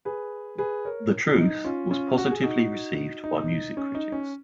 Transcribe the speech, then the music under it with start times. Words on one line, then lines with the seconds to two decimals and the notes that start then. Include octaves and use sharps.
"The Truth" was positively received by music critics.
0.05 G#4 B4
0.58 G#4 B4
0.85 A#4 C#5
1.39 D#4
1.64 C#4 F4
1.91 C#4 F4
2.18 F#4
2.31 G#4
2.43 D#4 F#4
3.24 D#4
3.77 C#4
3.94 D#4
4.12 C#4